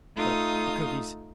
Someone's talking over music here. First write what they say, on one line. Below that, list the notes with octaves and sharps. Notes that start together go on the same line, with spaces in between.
But the cookies!
A3 D#4 F4 D#6